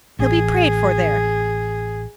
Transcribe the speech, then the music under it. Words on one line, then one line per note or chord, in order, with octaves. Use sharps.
He'll be prayed for there.
A1 G#4